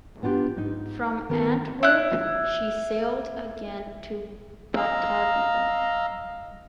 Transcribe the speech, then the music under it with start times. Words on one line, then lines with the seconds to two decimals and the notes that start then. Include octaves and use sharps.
From Antwerp she sailed again to Batavia.
0.23 B3 D4 F4 G4
0.56 G#2 D#4
1.29 D#3 B3 A4 A#4
1.83 E4 F#6
4.76 D#5 F5 A#5 E6